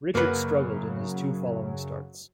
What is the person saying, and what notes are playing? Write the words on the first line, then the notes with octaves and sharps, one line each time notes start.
Richard struggled in his two following starts.
F#2 C#3 F#3 A#3 B4